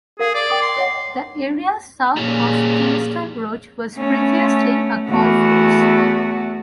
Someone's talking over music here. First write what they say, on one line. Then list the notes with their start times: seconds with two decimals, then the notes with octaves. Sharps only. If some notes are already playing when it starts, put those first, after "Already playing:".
The area south of Kingston Road was previously a golf course.
0.19 G#4 A#4 F5
0.35 D5
0.50 G5 D6 D#6
0.62 C6
0.77 C#5 D#5 F#5
2.16 A#2 F3 G3 C#4 G#4
3.96 A3 B3 C#4
5.10 E2 A3 F#4